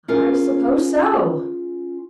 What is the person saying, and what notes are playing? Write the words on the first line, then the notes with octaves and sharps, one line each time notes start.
'I suppose so.
C#4 F4 G#4 A#4